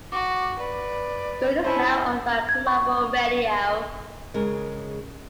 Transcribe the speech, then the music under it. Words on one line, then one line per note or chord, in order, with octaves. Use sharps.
Gold is now owned by Global Radio.
F#4 D6
B4 D5
C#4 E4 C5 A5
G#6
C#6
C#3 G#3 A#4